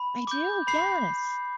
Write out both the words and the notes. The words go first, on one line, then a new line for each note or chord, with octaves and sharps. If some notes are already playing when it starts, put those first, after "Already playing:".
I do, yes,
Already playing: B5
D6 G6
B5 C7